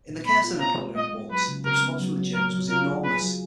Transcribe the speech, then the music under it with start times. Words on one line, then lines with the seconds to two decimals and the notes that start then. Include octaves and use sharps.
In the chaos of the Napoleonic wars, the response from Germans was enormous.
0.09 A#2
0.26 B3 B5
0.44 F4
0.61 B3 A#5
0.79 G#3
0.96 G#3 D#5
1.13 G#3
1.31 F#3 B4
1.48 C#3
1.65 C#3 A#4
1.83 B3
2.00 F#3
2.17 F#3
2.34 F#3 A#4
2.53 F#3
2.70 F4 A#4
2.87 G#4
3.04 G#4 B4
3.22 F#3